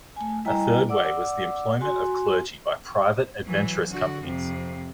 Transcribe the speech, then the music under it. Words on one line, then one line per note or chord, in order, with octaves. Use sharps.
A third way was the employment of clergy by private "adventurous" companies.
A3 G#5
G3 E4 D#5 G5 G#5 A#5
D5 F#5 D6 E6
F#4 G#5 C6
E3 F#3
D3 F#4
F2 C3